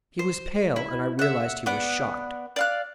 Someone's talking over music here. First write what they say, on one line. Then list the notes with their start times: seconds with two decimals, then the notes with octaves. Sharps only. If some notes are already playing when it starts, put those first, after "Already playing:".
He was pale, and I realized he was shocked.
0.19 C5
0.76 E4
1.19 E5 F#5
1.66 B3 D5 F#5
2.56 D5 F5 F#6